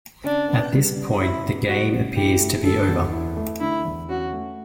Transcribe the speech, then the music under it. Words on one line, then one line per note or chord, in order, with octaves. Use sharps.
At this point, the game appeared to be over.
C#3 D4
B3
G3
C#3
C#3 E4
B3
G3 F#4
C#3
E4 G4
A3
D3 A4
E2
E4
A3
D3 E4
E2
C#4 F#4
A3